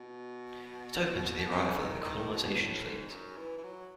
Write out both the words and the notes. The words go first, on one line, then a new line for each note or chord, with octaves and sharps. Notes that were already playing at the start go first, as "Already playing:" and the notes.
It opens with the arrival of the colonization fleet.
Already playing: B2
C#3
C#3
D#3
D#3
B2
A2
G#2
F#2
E3
E3
F#3